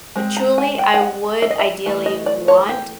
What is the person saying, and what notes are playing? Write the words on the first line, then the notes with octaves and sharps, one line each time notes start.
eh, truly, I would ideally want
G#3 C4
A#5
G#5
G5
G5
F#5
E5
D#5
E5
E3 A3
D#5
D5
C#5
G4